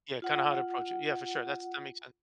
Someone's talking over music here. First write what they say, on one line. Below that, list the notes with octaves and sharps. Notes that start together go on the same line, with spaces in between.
Yeah, kinda how to approach it. Yeah, for sure, that's that makes sense.
F4 F#5